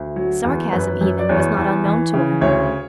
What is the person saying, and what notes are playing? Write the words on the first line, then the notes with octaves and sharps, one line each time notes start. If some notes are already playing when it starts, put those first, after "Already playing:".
Sarcasm, even, was not unknown to her.
Already playing: D2
F#3
E2
F#2 B4
F#2
D5
E2 C#5
E2
E3
C#3
D2 C#5